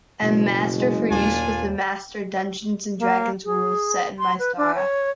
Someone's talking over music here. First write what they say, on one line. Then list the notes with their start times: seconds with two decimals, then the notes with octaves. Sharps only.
M-Master for use with the Master "Dungeons and Dragons" rules, set in Mystara.
0.22 F#1 B2
0.77 G#3
1.11 D#2 A#2 D4 F4 G#5
2.99 A#3
3.45 G#4
4.19 C6
4.39 B4
4.57 D4
4.75 C#5